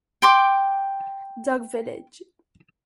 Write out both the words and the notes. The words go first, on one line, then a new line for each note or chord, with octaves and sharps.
Duck Village.
G5 C6 D6